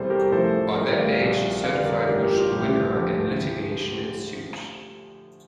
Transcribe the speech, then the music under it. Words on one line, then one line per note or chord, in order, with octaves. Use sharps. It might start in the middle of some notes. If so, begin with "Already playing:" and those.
On that date, she certified Bush the winner and litigation ensued.
Already playing: E2 C3 G3 A4 C5
G4 A#4
A1 A2 F3 A4 C5
A1 A2 G3 A#4 D5
D5 F5
A#1 A#2 G3
F2 D3 G3 D5 F5
A#4 D5
A1 G2 E3 G4 A#4
G4
F4
A#1 A2 G3 G4
D2 D3 F3 G4